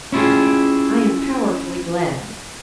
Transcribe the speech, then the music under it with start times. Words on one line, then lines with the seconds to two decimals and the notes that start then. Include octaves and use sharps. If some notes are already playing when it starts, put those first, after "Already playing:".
I am powerfully glad.
0.12 C#4 E4 F4 G4 G#4